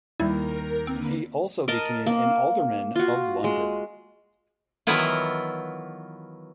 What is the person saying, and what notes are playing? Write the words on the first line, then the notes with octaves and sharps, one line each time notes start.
He also became an Alderman of London.
D#2 G3 E4 A#4
D3 A#3 C4 B4
A#4 D#5 A5
A#3
F4 F#4
G#3
D#3 E3 F#3 B3 E4 F4